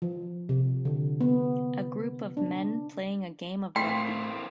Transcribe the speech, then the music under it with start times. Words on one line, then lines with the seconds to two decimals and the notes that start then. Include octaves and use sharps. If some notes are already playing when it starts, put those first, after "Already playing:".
A group of men playing a game of rugby.
0.02 F3
0.49 C3
0.85 D3
1.21 B3
2.37 D4
3.76 A2 A3 A#3 C4 G5 C6 B6 C7